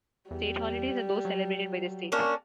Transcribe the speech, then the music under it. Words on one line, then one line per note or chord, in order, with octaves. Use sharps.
State holidays are those celebrated by the state.
E2 G3
F#3
A#3 C#4 D4